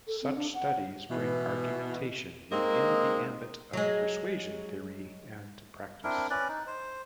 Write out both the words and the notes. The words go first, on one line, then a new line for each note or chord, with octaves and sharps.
Such studies bring argumentation within the ambit of persuasion theory and practice.
A4
C4
D4
F#5
B2 E3
G#3 A#3 C4 D#4
F#3 G#3
C4 D4 E4 A#4
C#4 B4 D5
D#4
C5